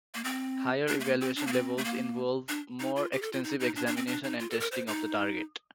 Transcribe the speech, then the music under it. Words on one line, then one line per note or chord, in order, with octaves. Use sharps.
Higher evaluation levels involve more extensive examination and testing of the target.
A#3
C4
D4
A3
A#3
C4
D4
A#3
C4
A3
A#3
D4
D#4
F4
G4
A4
F4
D#4
D#4
D4
D4
C4
D4
D#4
F4
A4
A#4
C5
D#4